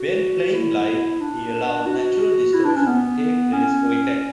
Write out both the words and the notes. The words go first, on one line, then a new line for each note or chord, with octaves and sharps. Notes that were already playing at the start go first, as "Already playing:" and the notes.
When playing live he allows natural distortion to take place for effect.
Already playing: F#4
E4
D4
F#4
E4
D4
C#4
B3
C#4